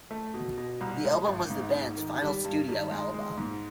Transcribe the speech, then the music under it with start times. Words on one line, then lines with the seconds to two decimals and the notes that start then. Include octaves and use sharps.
The album was the band's final studio album.
0.11 A3
0.34 B2
0.58 B2
0.81 C2
1.04 G#3
1.27 G#1
1.50 G#2
1.74 G#2
1.97 D#3
2.21 G3
2.44 G2
2.68 D#3
2.91 G#3
3.14 G#3
3.38 G#2